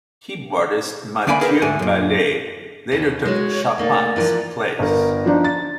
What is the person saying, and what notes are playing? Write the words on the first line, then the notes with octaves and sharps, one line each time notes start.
Keyboardist Matthieu Ballet later took Chapat's place.
D2 D3 A#3 D5 G#5 B5
G#4 A#4 B4 G5
D2 G#2 D3 D4 G#5
F#2 A#2
D#2 D#3 E3
G#3 F#4 C#5
A3 A#3 D#4 D5
E3 F3 A#4
G1 A#4
F3 D4 D#4
A6